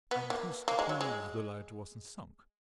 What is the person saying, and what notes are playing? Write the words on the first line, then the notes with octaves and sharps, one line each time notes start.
And who's to prove the lighter wasn't sunk?
B3
A#3
A#3
G#3
F#3
G#3